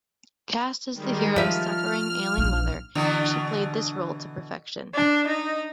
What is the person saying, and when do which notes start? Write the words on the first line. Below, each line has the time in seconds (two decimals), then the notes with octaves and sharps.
Cast as the hero's suffering, ailing mother, she played this role to perfection.
0.93 D#3 G3 G#3
1.36 F3 E5 F6
2.37 A#1 D#4
2.95 B2 D3 E3
4.94 D4
5.27 D#4